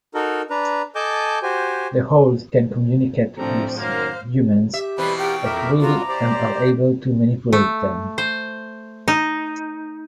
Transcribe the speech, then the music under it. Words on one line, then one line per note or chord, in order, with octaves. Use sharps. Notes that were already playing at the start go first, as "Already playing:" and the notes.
The holes can communicate with humans at will and are able to manipulate them.
D#4 F#4 A4 A#4
D4 B4 A#5
A4 D#5 G#5 A5 D6 G6
F#4 G4 C5 G#5
A2 C3 F3 C4 D4 A4 A#5
F#2 D#3 A#3 C5 F5
G4 E5
B2 E3 G3 C4 B4 B5
F4 A#4 F#5 G5
F2 A#4 E5 D6
F4 F#4 A#5
G4 C5 D5
A3
C5
D#4